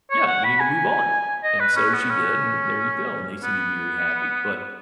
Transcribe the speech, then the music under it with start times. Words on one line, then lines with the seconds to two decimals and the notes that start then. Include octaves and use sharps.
Yeah, you need to move on, and so she did, and there you go, and they seem to be very happy, but,
0.10 C#5
0.27 F#5
0.44 B5
0.60 G#5
1.43 D#5
1.60 B4
1.76 C#4
1.93 B3
2.09 C#4
3.42 B3